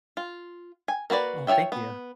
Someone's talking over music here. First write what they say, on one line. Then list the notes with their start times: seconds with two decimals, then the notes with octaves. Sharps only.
Oh, thank you.
0.17 F4
0.88 G#5
1.10 A#3 F#4 B4 D5
1.47 F4 C#5 D5 E5 G5
1.72 B3